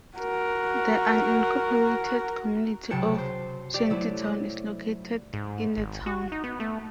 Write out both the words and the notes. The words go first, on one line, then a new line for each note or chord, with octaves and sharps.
The unincorporated community of Shantytown is located in the town.
F#4 A#4
C#2 C3 F#3 G5 A5 C#7
C5
G4 D5
F#3 A3 E4
G#2
G#1
F#4
D#4
B3
A3